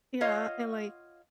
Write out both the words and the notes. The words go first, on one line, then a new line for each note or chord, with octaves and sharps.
Yeah, and, like,
F4 C#5 D#5 F5 F#5